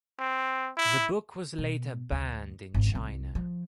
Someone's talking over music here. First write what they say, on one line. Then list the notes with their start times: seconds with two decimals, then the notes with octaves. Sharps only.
The book was later banned in China.
0.19 C4
0.77 E4
1.58 B2
2.11 D2
2.74 G#1 C#3
2.95 C2
3.35 F3